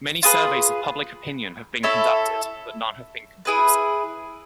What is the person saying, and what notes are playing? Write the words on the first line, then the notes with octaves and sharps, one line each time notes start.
Many surveys of public opinion have been conducted, but none have been conclusive.
F4 G#4 B4
E4 A4 C#5 E5
E4 G#4 B4